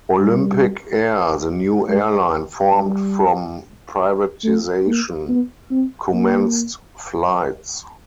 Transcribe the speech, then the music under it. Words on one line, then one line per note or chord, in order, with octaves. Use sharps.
Olympic Air, the new airline formed from privatisation, commenced flights.
G3
G#3
G3
A3
A#3
B3
C4
A#3